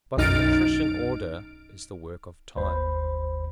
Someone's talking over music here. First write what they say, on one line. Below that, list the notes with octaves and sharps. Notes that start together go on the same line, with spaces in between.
But a patrician order is the work of time.
B1 F#2 D#4 F6 A6 D7
G1 D#2 C5 B5